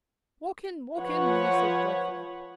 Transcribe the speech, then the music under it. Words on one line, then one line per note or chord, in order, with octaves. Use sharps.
"Walk in, walk in," he said joyfully.
F3 B4 C#5 F#5